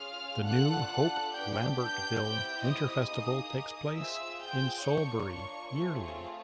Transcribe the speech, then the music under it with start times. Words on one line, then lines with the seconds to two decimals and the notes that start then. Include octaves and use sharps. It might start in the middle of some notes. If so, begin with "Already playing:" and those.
The New Hope-Lambertville Winter Festival takes place in Solebury yearly.
Already playing: C#4 F4 G#4 F5 F6
0.45 D4 F4 A4 F#5 F#6
1.33 B3 D4 G4 G5 G6
1.77 G5 G6
2.21 C4 E4 G4 G5 G6
2.66 D#5 D#6
3.10 A#3 D#4 G#4
3.98 C4 F4 G#4 E5 E6
4.43 G5 G6
4.87 A#3 D4 F4 C#5 C#6
5.75 A3 C4 F4 G#4